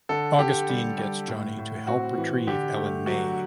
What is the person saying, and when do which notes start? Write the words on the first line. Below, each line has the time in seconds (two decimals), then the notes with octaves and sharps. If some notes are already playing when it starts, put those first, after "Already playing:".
Augustine gets Johnny to help retrieve Ellen May.
0.09 D3 A4
0.39 D3 G4
0.69 G3
0.98 G3
1.28 A2
1.58 A2
1.87 C4 F#4
2.18 E3
2.47 D3 G4
2.77 A3
3.06 F#3 F#4